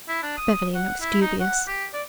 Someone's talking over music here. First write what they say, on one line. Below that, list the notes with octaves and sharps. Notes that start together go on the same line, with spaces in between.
Beverly looked dubious.
E4
D4
D#6
F#5
E4
D#4
F#5
G4
D5